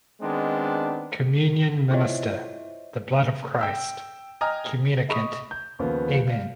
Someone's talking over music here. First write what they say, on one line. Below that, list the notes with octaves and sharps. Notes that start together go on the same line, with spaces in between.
Communion Minister: The blood of Christ. Communicant: Amen.
D#3 G#3 B3 C4 D4
E4 F4 C5 C#5 D#5 E5
G5 E6
D#5 G5 G#5 A#5 D#6 F6
D#5 B5 C#6 D#6
G6
D#2 C#3 F3 B3
F5